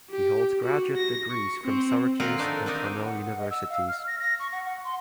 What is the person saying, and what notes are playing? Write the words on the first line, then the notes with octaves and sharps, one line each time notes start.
He holds graduate degrees from Syracuse and Cornell Universities.
G4
F#4
A#6
C#6
C4
A#2 D#3 C4 F4 A#4 F#5
D#3 A3 D4 D#4
A#3 C4 D4 D#4
F#5
F#5
D#5
E6
F5
F6
A#6
A#6
C#6
F#5
F#5
C6